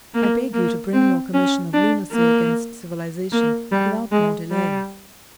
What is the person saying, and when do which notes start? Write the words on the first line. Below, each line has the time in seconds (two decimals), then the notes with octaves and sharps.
I beg you to bring your commission of lunacy against civilization without more delay.
0.14 A#3
0.54 A#3
0.93 C4
1.34 C#4
1.73 D4
2.13 A#3
3.32 A#3
3.72 G3
4.12 G#3
4.51 G3